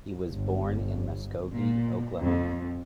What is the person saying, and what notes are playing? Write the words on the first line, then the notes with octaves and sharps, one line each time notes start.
He was born in Muskogee, Oklahoma.
G1
A#2
F2